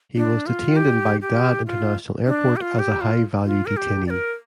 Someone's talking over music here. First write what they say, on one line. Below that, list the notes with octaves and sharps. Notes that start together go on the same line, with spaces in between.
He was detained in Baghdad International Airport as a "High Value Detainee".
D4
F4
G4
G4
F4
D4
G4
F4
G4
F4
F4
A#4
G4
D5
A#4